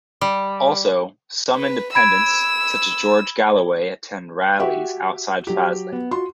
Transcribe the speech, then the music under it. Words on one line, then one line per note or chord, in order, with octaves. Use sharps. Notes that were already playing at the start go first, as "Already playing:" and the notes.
Also, some independents, such as George Galloway attend rallies outside Faslane.
G3
B4
B5 E6 G#6 D7
F#4 G4 E5 F#5 G5
F#3 G4
B3
F4 F#4 C6